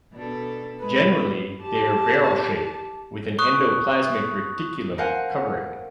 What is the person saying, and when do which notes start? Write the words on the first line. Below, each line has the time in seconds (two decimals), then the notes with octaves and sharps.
Generally, they are barrel shaped, with an endoplasmic reticulum covering.
0.13 B2 D4 A4
0.80 G#3 A#3 B4
1.62 G4 A5
3.39 C#6 D#6 F#6
4.98 A#4 C5 F5 F#5 G#5